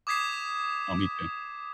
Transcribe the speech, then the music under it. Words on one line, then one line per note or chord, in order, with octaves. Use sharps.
Oh, me too.
D6 D#6 G#6 B6 C7 E7